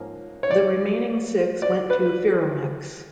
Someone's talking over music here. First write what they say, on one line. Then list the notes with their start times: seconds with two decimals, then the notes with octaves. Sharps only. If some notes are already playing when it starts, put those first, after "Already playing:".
The remaining six went to Ferromex.
Already playing: G#2 F3 A#3 C#4
0.43 C#5
0.51 D5
1.62 D5
1.90 B4